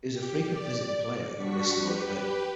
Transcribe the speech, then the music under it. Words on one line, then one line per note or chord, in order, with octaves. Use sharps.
He was a frequent visiting player at the Bristol Old Vic.
G4
D5
G3 D4 F#4 C#6 B6
G4 B4